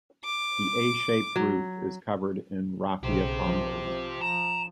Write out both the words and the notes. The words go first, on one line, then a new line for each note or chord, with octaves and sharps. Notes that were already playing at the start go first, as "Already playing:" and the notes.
The A-shaped roof is covered in raffia palm leaves.
D6
F#3
B1 C#3 G4 C5
F3
F3
A#5 E7